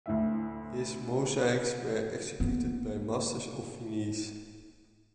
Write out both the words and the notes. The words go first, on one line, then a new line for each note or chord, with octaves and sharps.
His mosaics were executed by masters of Venice.
D2 A2 E5
A#3 B3